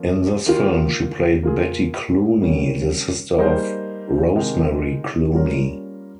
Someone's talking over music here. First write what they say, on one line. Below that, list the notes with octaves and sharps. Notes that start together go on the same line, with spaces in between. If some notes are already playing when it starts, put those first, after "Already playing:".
In this film she played Betty Clooney, the sister of Rosemary Clooney.
Already playing: F3 A#3 C#4
D#3 A#3 F4
A#3 F4 G#4
C3 D#3 G3 A#3 C#4
G3 A#3 D#4 G#4 C5
C3 D#3 G#3 D#4
G3 A#3 C#4 F4 A#4